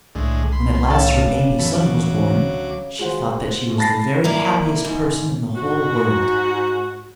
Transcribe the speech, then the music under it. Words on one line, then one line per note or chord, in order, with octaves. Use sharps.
When at last her baby son was born she thought that she was the very happiest person in the whole world.
C2 A2 D3 G#3
B5 C6
A2 C#3 A4 A5
E1 D3
F#2 E3 A4 B5
D2 F#3 D6
G#3 F4 F#4 C5
A5 B5 A6 A#6 C7
A#3 E4 D5
G#2
G#2 F#4